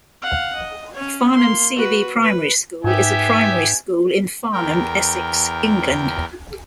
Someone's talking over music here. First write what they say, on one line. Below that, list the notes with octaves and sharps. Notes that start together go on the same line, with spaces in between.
Farnham C of E Primary School is a primary school in Farnham, Essex, England.
F5 F#5
D#5
C#4 C#5
A#3 C6
F#4 B4
B4
G#2 B3 G4 E5 G#5
E2 A#4 G5